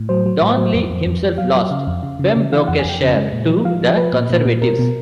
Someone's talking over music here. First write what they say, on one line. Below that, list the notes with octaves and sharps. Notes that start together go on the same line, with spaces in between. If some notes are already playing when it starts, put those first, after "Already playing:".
Donnelly himself lost Pembrokeshire to the Conservatives.
Already playing: A2
F#3 C5
F#3
A2
F#3
F2
F2
F2
F2
F#3 F5
F#3
C#3 F5
F2
C#3
C#3
C#3
E3 F5
F2 F#5
G#5
F2 G5
C#3
G#3
A#2
F3
F3 F5
F3
F3 B4
A#2
A#2
A#2
B2 A#4
B2